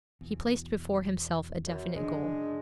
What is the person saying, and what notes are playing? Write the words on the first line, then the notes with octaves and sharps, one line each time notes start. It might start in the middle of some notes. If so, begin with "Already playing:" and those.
He placed before himself a definite goal.
E2 B2
F#2
F#2 C#3 F#3 G#3 D4